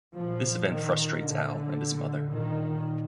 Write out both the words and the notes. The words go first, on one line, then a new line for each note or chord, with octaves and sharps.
This event frustrates Al and his mother.
A#2 F3
D#3
A#2 D3
A#2 D#3